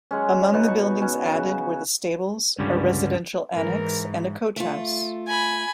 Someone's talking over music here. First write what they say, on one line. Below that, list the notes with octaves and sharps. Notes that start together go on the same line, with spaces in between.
Among the buildings added were the stables, a residential annex and a coach house.
F#3 G#3 C#4
B2 B3 D#4 F#4
C#6
C#4
C#3 F#4
C#2 G2 D3 G3 C#4
G#2 E3 A#4
A3 F4
G#5 B5